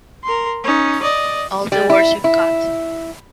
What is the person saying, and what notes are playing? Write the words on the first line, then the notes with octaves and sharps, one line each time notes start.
All the words you've got.
A#4 C6
C#4 D#4
D5 D#5
G3
E4
E4